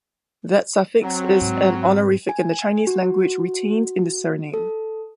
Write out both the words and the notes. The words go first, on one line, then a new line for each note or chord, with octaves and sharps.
That suffix is an honorific in the Chinese language retained in the surname.
F#3 C4
G#2
G#5
F#4
A4